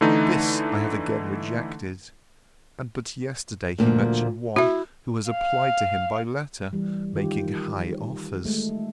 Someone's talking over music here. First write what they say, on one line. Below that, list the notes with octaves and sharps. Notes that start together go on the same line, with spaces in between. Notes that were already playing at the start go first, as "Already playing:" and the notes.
This I have again rejected; and but yesterday he mentioned one who has applied to him by letter, making high offers.
D3 E3 A3 D#4
D2 A#2 F3
E4 F#4 E5
F5
E3 G3
D#3 F4 G4
G#3 A3